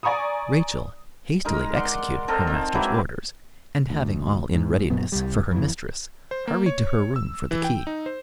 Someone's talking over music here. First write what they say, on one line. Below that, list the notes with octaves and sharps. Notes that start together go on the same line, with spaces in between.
Rachel, hastily executing her master's orders, and having all in readiness for her mistress, hurried to her room for the key.
D5 G#5 A#5 C#6 D#6
G#3 D#4 A#4
D5 F#5 C6
C4 A4 A#4 D#5
C4 D#4
E3 F#3 G#3 E4
D2
G#2
F#2 A#2 F#3 B3
C2 G3
F2 E3
C5
A#3
C#5
E6
E3
G5
D#4
C5